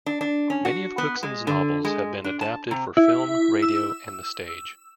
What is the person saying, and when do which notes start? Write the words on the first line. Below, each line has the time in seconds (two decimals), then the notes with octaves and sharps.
Many of Cookson's novels have been adapted for film, radio, and the stage.
0.06 D4
0.21 D4
0.50 C#4
0.65 F#4
0.98 B3
1.23 G#3
1.47 D3
1.85 G#3
2.24 D4
2.41 A5
2.71 C3
2.97 E4
3.62 E6